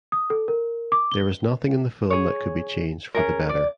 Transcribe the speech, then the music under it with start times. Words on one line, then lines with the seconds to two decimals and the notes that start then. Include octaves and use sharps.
There is nothing in the film that could be changed for the better.
0.12 D#6
0.30 A4
0.48 A#4
0.92 D6
1.12 G7
2.10 G#4 C#5
3.14 C#4 D#4 G#4 A#4
3.49 D5